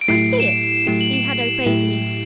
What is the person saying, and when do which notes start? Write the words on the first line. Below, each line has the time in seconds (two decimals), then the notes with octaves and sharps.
"I see it." He had obeyed me.
0.01 D7
0.08 A2 F#3 A3 E4 G4 C7
0.40 E7
0.48 D7
0.87 A2 F#3 A3 E4 G4 E7
1.01 F#7
1.14 E7
1.66 A2 F#3 A3 E4 G4 E7